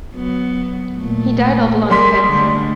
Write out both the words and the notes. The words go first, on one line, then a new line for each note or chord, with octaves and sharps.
He died of lung cancer.
F#3 B3
A#2 A3
G3 G#4 A#4 C6 B6
D3 G#3 A3